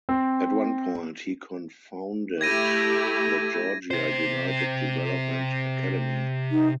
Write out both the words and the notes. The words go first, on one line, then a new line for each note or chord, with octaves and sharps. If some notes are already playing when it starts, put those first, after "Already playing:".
At one point he cofounded the Georgia United development academy.
C4
A3 E4 G4 G#6 A#6 D#7
C3 C5
D#4